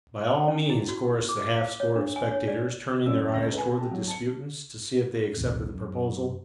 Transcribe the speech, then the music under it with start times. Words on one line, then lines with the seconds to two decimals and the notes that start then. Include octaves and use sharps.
"By all means!" chorused the half-score of spectators, turning their eyes towards the disputants, to see if they accepted the proposal.
0.48 C#4
0.70 E4
0.89 F#4
1.29 D6
1.56 F5
1.80 C#5
1.96 D4
2.16 G#5
2.31 C#5
2.48 D5
3.06 F#2 C#4 D5 E6
3.34 C#2 A#6
3.53 B4 G#5
3.77 G4 A5
3.91 F#3
4.07 A5 C#7
5.37 B1 E2 A2 C3
5.74 F#2